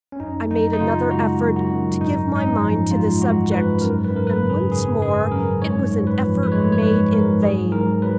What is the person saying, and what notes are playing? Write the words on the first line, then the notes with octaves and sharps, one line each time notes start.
I made another effort to give my mind to the subject--and once more it was an effort made in vain.
C#4
F#2 D#4
F#2 D#4
D#4
C#3 F4
G#3 F#4
F#2
F#4
F#2
G#2 D#4
G#2 D#4
C#4
F3
G#3 F4
G#2 F#4
G#2 B4
F#2 A#4
B4
F#2
A#4
B4
C#3
G#4
F#3 G#4
F#2 G#4
F#2 A#4
G#2 C#5
G#2
B4
F3
B4
G#3 C#5
C#5
G#2 B4
G#2 A#4
F#3 G#4
G#2 A#4
F#3 B4